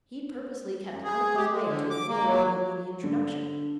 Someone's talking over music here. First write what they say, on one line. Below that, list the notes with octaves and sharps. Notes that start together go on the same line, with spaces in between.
He purposely kept out of my way to avoid giving me the introduction.
F#2
G#4
G4
G#3
D3
D6
A#3
F#3
D3